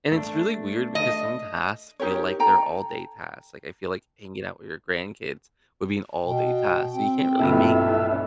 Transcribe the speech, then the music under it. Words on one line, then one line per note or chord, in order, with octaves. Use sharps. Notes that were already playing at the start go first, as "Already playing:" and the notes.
and it's really weird because some tasks feel like they're all day tasks, like, I feel like hanging out with your grandkids would be an all day task, and you can't really make
A3 D4
D#5
D#4 G4 A#4 C#5
A4 G5 A#5
B2 G5
C4
B1 G2 A#2 E4 A4 E5
C#4